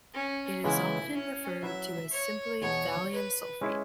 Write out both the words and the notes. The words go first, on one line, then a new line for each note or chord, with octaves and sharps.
It is often referred to as simply thallium sulfate.
C#4
C#3 E3 G#3 B3 E4
C#4
F#3 E4 B4 E5
C#5
E2 B2 B3 F#4 C#5
B4
G#3 C#4 E4 G#4